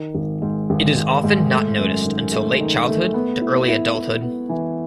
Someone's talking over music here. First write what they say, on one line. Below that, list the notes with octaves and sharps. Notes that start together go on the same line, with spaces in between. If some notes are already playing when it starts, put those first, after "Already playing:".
It is often not noticed until late childhood to early adulthood.
Already playing: D#3
G#1
G#2
G#1
G#2
G#2
A3
F#2
D#3
A3
D#3
A3
B3
E4
E4
E4
B3
E3